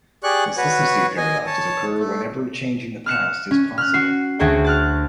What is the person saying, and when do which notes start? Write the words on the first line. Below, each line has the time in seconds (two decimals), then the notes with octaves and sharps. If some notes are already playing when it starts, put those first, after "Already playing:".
Consistency paradoxes occur whenever changing the past is possible.
0.24 G4 G#4 D5 C#6 F#6
0.57 F#4 B4 C#5
1.17 D#5 G#5
1.46 C#5 A5
1.98 A3
3.06 F6 F#6 C#7 E7
3.51 C#4
3.78 F6 F#6
3.94 F#4 C7
4.39 D2 F#4 G#4 C#5 G5
4.64 F6 F#6 A6